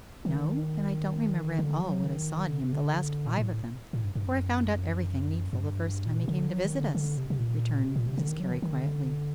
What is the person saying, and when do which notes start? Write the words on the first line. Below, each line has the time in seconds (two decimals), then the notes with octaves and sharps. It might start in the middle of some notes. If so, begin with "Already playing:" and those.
"No; and I don't remember at all what I saw in him the last five of them, for I found out everything needful the first time he came to visit us!" returned Mrs. Carey quietly.
0.25 D#3
1.59 D3
1.81 F#3
2.04 D#3
2.48 D3
2.60 C3
2.72 D3
3.26 A#2
3.38 A2
3.93 A2
4.04 G2
4.15 G2
4.26 F#2
5.53 F#2
5.61 G2
6.06 A#2
6.23 C3
6.28 D3
6.50 F#3
6.65 D#3
6.80 D3
6.95 D3
7.17 C3
7.30 C3
7.39 A#2
7.84 C3
7.96 A#2
8.07 C3
8.18 D3
8.28 D#3
8.40 F#3
8.51 D#3
8.62 D#3
8.73 D3